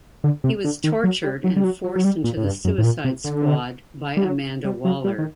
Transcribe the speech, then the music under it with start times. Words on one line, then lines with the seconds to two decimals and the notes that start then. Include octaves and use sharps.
He was tortured and forced into the Suicide Squad by Amanda Waller.
0.24 D3
0.44 C3
0.64 D3
0.84 D#3
1.04 F#3
1.24 G3
1.44 F#3
1.56 G3
1.64 F#3
1.84 F#3
1.96 F#3
2.04 G3
2.24 A#2
2.37 A2
2.44 G2
2.65 F#2
2.78 A2
2.84 A#2
3.04 C3
3.24 D3
4.17 G3
4.25 F#3
4.64 G3
4.85 F#3
5.04 G3
5.18 D#3